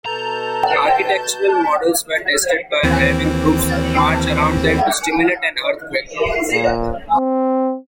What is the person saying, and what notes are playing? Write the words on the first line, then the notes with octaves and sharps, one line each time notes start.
Architectural models were tested by having troops march around them to simulate an earthquake.
B2 A4 B4 A5 A#5 G6
D#2 E3 C4
A#2
C4